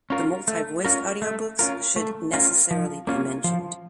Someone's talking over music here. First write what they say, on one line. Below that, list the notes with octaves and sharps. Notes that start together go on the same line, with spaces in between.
The multi-voiced audio books should necessarily be mentioned.
C#4 F4 A#4
A3
C#4 F4 A#4
A3
C#4 F4 A#4
A3
C#4 F4 A#4
F3
A#3 C#4 F4
F3